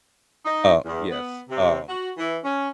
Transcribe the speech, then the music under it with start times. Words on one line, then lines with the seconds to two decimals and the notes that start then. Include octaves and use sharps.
Uh, yes, um,
0.45 D#4
0.85 E2
1.11 B3
1.49 C3
1.87 F#4
2.18 E3
2.45 C#4